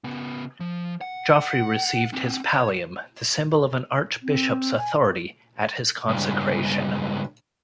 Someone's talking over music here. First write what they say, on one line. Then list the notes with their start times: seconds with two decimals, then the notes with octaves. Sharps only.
Geoffrey received his pallium, the symbol of an archbishop's authority, at his consecration.
0.04 C#3 B3
0.60 F3
1.01 F#5
2.13 C4 D4
2.54 C#5
4.23 C4
4.78 G#5
6.08 C#2 G2